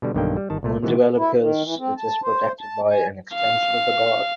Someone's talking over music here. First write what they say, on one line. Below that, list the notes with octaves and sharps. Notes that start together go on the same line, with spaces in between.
On developed hilts it is protected by an extension of the guard.
B2 D3 G3
B1 G2 D3 D#3 A#3 G5
G3
G1 D#3 A5
C2 A#2 A3
C3 D#3 E3 G#3 B3
E4
D#3
E3
C4
A5
C5
A5
G#5
F5